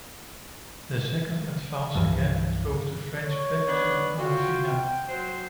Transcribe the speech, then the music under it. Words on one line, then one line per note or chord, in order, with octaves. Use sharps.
The second advance again drove the French back through Elvina.
C2 G2 E3 F3
C#5
B3 D4
F4 F#4 G5
F#3 C5